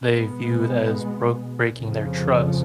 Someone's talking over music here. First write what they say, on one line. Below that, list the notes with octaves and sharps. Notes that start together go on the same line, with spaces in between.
they viewed as broke breaking their trust.
B2 G#3 B3
F2 C#3 F3